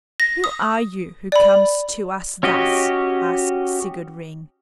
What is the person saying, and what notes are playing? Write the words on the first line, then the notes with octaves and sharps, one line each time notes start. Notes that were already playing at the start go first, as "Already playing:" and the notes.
"Who are you who comes to us thus?" asked Sigurd Ring.
A#6
D#6
D5 B5
C#4 F#4 G4 D#5